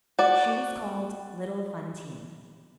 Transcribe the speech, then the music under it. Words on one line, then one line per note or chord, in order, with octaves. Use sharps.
She was called little Fantine.
F#4 D5